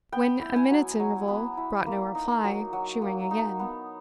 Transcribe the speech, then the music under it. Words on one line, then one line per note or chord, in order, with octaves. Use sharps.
When a minute's interval brought no reply, she rang again.
B3 G5
E4
G#5
F#3
F#3
B3
E4
A#3
D#4
F#3
F#3
A#3
D#4
B3